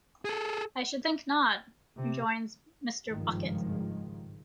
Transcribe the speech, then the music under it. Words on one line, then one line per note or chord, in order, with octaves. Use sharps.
"I should think not," rejoins Mr. Bucket.
G#4 A4
C3
G#1 C#2 G2 D#3 F3 G#3